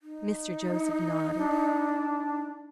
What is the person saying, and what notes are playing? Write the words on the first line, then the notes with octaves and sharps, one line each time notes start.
Mr. Joseph nodded.
D#4
D4